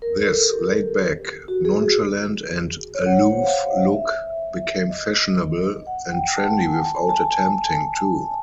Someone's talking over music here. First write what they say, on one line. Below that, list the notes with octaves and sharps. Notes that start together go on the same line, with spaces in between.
This laid back, nonchalant, and aloof look became fashionable and trendy without attempting to.
A#4
A4
G4
F#4
G#4
C#5
F#5
C#5
C5
F5
D#5
E5
D#5
F#5
G5
A5
G#5
A5
G#5
A5
G#5
A5